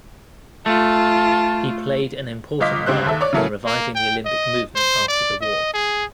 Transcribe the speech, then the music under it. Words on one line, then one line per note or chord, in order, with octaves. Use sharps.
He played an important role in reviving the Olympic Movement after the war.
A3 F4 A5
G1 F4 D#5 D6 B6
G1 D2 C#3 G4 C5 F#6
D#2 A4 E5
C#5 D5 D6
C#3 E3 F#3 A3 A#3 C#4
A#3
G5
D#5
C5
D5
D#5
G#4